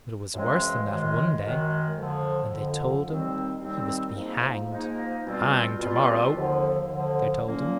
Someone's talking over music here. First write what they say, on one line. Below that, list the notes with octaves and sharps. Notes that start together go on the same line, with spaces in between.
But it was worse than that one day, when they told him he was to be hanged, "hanged to-morrow," they told him.
F#2 C#3 E3 G#3 C4
F#2 D#3 G#3
F#2 D#3 G#3
F2 D3 F3
F2 D3 F3
D#2 D#3 G3 C4
D#2 D#3 G3 C4
G#2 F3 A#3 D#4
G#2 F3 A#3 D#4
B2 G3 C4 F4
B2 G3 C4 F4
D#2 D3 F3
D#2 D3 F3
A#2 F#3 A#3 C#4